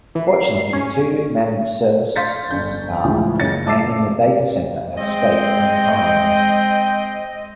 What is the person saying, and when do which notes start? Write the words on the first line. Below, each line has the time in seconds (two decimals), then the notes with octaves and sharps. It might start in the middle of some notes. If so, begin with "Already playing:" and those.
Fortunately the two managed services staff manning the Data Centre escaped unharmed.
0.15 E3
0.28 C7
0.73 C#4
2.16 F5 C6 G6 A6 B6 C#7
2.51 G1 C#4 G6
3.04 D2 A2 C#3 E3 F3 G#3
3.39 F#1 C#3 C#5 A6 A#6 C#7
3.66 E5 A5 D6 E6 C7
4.98 G#3 C4 D#5 G5